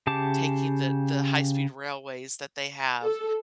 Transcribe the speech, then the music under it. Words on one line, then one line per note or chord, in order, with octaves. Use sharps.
taking the the high-speed railways that they have,
C#3 G4 A5 D6
A4